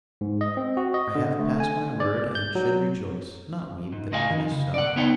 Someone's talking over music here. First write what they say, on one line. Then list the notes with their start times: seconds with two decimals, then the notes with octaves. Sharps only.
I have passed my word, and should rejoice, not weep, that it is so.
0.21 G#2
0.41 D#5
0.57 C4
0.77 F#4
0.94 D#5
1.15 D3
1.40 A3
1.60 G#5
2.00 D5
2.35 G6
2.55 F#3
3.92 G#2
4.11 C#2 A2 D#5 F5 F#5 G#5
4.30 D#3
4.52 C#3
4.74 D5 F#5
4.96 C#2 B3 D#4 C#5 F#5 G5